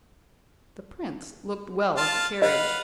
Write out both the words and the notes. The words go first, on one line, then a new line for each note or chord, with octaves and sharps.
The prince looked well at the carriage.
F4 A5 F6
B4 D#5 F5 F#5